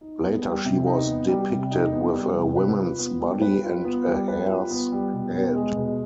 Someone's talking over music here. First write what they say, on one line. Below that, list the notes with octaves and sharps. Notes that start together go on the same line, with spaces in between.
Later she was depicted with a woman's body and a hare's head.
D#4
B3
G3
C3
D#4
B3
G3
C3
D#4
B3
G3
C3
B4
F4
B3
G3
B4
F4
B3
G3
B4
F4
B3
G3
B2
B3
G#3
B2